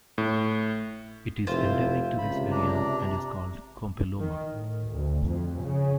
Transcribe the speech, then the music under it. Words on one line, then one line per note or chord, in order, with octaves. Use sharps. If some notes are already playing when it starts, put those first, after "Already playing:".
It is endemic to this area and is called Kompelloma.
A2
F1 E4 F4 C5
C#2 C3 B5
D4 D5 A#5
D#3
A2
D2
F2
C#3